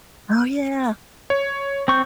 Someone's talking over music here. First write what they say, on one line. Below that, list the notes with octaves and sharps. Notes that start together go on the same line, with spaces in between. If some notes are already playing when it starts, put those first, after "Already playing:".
Oh yeah.
C#5
C4 C#6 G6